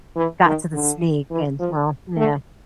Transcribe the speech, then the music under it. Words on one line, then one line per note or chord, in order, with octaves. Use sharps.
got to the snake and, well, yeah.
E3
D#3
D3
E3
F3
A3